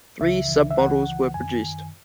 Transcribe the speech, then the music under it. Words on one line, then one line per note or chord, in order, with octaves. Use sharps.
Three submodels were produced.
C#2 C#3 E3 E5
C#2 C#3 E3
E5
C#2 C#3 E3 F#5
C#2 C#3 E3
F#2 D#3 G#5
F#2 D#3